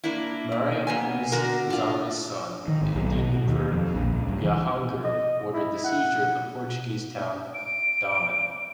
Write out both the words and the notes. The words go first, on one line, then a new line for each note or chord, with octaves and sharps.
Mariam-uz-Zamani's son, the Indian emperor Jahangir, ordered the seizure of the Portuguese town Daman.
A#3 D4 E4
A#2
A#3 B3 G#5
D3 F#4 A#4
D4 F4
D#3
G#1
B1
B2
D#2
F2
A#1
C#2
G2
E3
D#5
E4
F#5
D7